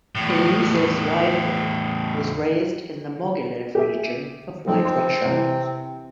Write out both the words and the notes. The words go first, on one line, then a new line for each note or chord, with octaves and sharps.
Eliezer Zweifel was raised in the Mogilev region of White Russia.
E2 A2
G4 G#4 E5
F3 A3 C4 D#4
C6
C3 E3